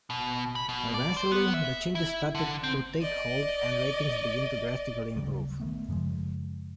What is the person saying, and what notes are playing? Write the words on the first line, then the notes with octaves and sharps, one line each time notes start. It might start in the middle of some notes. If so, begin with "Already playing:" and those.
Eventually, the changes started to take hold and ratings began to drastically improve.
B2
B5
B2
D5
C5
B3
E5
E4
D3
C4
D5 D#5
D2 C#3 F#3 G3
D#3 A3 B3
F#2 C#3 F3 G#3